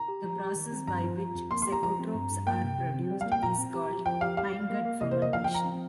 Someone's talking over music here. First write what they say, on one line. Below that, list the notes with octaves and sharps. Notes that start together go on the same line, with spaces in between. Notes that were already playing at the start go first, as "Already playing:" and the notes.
The process by which cecotropes are produced is called "hindgut fermentation".
Already playing: A#5
G4
F3
G4
D#3
C4
G2 A#5
F3
F4
F2
A#3 C6
C6
G4
A#5
F3 A#5
C4
G2
G2
A#3 G5
C3
C3
C4
G3
A#3 F5
G5
A#2 A#5
C4
G4
F3
F3 G5
G4 F5
G4 F5
G3
A#3
A#3
C3 D#5
C5
A#3 D#5
F3 F5
G5
F3 A#5
C4